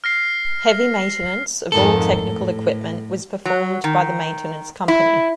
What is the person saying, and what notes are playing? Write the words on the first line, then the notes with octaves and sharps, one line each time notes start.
Heavy maintenance of all technical equipment was performed by the Maintenance Company.
F6 A#6 C7
F2 G#2 D#3 A4
A2
F#3
D#3
E4